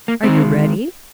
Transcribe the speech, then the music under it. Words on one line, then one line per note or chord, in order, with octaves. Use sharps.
"Are you ready?"
A#3
D#3 G#3 C4